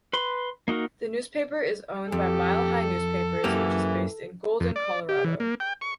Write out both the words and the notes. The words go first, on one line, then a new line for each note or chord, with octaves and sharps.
The newspaper is owned by Mile High Newspapers, which is based in Golden, Colorado.
B4 B5 C6
A#3 D#4 F#4 A#4
F2 G4 A4
F#2 E3 A#3 G4
F2
D5
G4
E3
A#3
G5
C#6